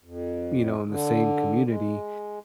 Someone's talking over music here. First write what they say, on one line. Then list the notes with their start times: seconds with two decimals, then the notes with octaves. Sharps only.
you know, in the same community,
0.04 F2
0.88 D3
1.67 G#3